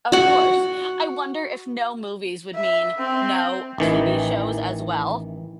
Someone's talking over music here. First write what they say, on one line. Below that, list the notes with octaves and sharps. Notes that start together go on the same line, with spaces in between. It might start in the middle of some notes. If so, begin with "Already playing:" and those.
Of course. I wonder if no movies would mean no TV shows as well.
F#4 F#5
E5
C4
A1 D#3 E3